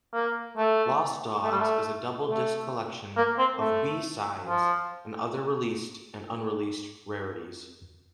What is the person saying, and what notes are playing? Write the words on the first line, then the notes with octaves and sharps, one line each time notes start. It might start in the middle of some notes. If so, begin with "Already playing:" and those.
"Lost Dogs" is a double-disc collection of B-sides and other released and unreleased rarities.
A#3
A3
A3
G3
A3
A3
A#3
C4
A3
F3